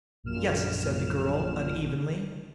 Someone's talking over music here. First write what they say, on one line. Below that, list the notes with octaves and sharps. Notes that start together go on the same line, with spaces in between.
"Yes," said the girl unevenly.
A#1 F#2 A#2 F6 E7